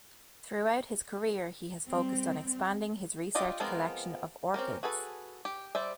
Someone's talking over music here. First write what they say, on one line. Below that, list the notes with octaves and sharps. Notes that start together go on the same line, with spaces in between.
Throughout his career he has focused on expanding his research collection of orchids.
G3 C4
D4 F4 G4 D#5
F3 G#3 B3 C4 A#4
C4 C#4 G4 A#4
F#4 G#4 A4 B4
G4
G3 C5 D5 E5